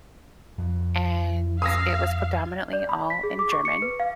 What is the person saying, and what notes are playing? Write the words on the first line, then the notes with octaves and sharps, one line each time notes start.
and it was predominantly all in German,
F2
F5 D#6 E6 A#6
D5
B5
B6
G#4
D6
C#6
C#7
B4
F5